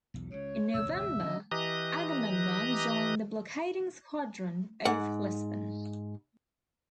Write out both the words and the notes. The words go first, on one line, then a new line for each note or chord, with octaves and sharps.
In November, "Agamemnon" joined the blockading squadron off Lisbon.
B1 E2
C#2 C#3 C#5
E1 C#2 F#2 E6
E5
D3 D#3 C#4 D#5
E3 G4 D#5 A#5 D#6 F#6
G#2 F#5